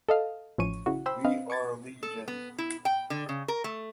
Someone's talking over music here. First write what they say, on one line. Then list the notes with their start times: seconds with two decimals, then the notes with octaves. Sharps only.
We are Legion!
0.09 A4 D#5 F5
0.58 A1 E3 F3 C#4 C#6 D#7
0.86 C#3 E4 F#4
1.06 C5 G5 B5 E6
1.24 C4 B4 D#5 F5
1.50 C#6 D6 G#6 A6
2.03 A4
2.28 B3
2.58 E4
2.85 G5
3.10 D3
3.29 C#3
3.48 A#4
3.64 A3